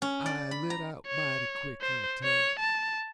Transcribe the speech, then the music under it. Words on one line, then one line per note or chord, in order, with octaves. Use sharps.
I lit out mighty quick, I tell you.
C#4
D5
B5
A#5
C#5
C5
C#5
A5